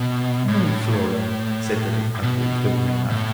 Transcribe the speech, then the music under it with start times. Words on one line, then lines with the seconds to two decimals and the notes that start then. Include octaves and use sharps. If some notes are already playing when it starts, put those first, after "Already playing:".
"No, Flora," said Little Ugly, coldly enough.
Already playing: B2
0.49 A2
2.23 B2
3.10 A2